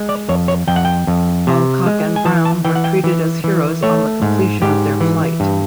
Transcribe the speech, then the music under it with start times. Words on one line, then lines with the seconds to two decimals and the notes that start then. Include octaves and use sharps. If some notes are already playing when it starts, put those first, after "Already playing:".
Alcock and Brown were treated as heroes on the completion of their flight.
Already playing: G#3
0.09 D5
0.29 F2 C#5
0.48 C#5
0.67 F2 G5
0.76 F#5
0.85 G5
1.07 F2
1.47 C3
1.86 G#3
2.16 G#5
2.25 E3 A5
2.45 A5
2.65 E3 G5
2.75 F#5
2.84 G5
3.04 E3
3.44 E3
3.83 A3 C#5
4.22 G#2
4.62 G#2 G4
5.01 E3
5.40 G2